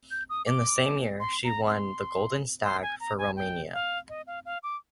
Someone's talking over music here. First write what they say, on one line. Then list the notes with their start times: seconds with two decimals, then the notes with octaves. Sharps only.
In the same year, she won the "Golden Stag" for Romania.
0.11 G6
0.30 D#6
0.47 D6
1.20 C6
1.44 A#5
1.68 C6
2.64 C6
2.83 G#5
3.00 A#5
3.18 G#5
3.36 G5
3.73 F5
4.09 D#5
4.27 F5
4.45 F5
4.63 D6